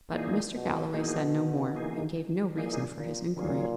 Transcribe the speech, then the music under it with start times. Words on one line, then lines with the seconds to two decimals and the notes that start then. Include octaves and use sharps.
But Mr. Galloway said no more, and gave no reason for his inquiry.
0.12 A#2 E3 A#3 D#4 G#4
0.53 B2
0.93 B2 E3 A#3 D#4 G#4
1.74 E3 A#3 D#4 G#4
2.56 A#2 E3 A#3 D#4 G#4
2.97 A#2
3.37 A#2 D#3 F#3 C#4 G#4